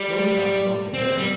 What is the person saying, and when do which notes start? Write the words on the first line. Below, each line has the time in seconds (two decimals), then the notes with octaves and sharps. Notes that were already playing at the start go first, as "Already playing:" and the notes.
"No, Miss Armstrong," he said.
Already playing: G3
0.94 C4
1.18 G3